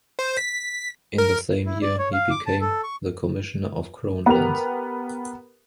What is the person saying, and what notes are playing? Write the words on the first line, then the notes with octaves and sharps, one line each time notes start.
In the same year, he became the commissioner of crown lands.
C5
B6
A#4
E4
D5
C#5
F5
D6
A5
A4
C#6
B3 G4 A#4 F7